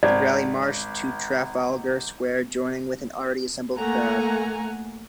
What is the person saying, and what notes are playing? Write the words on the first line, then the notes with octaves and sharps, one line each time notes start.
The rally marched to Trafalgar Square, joining with an already assembled crowd.
G#1 D5
A3 A#3 F#5 G#5 A#5